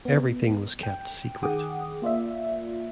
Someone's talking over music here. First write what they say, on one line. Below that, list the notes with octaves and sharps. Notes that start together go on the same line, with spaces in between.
Everything was kept secret.
B3
G5
D#3 G#4 F#5 G5 D6 D#6
A#3 F4 D5 E5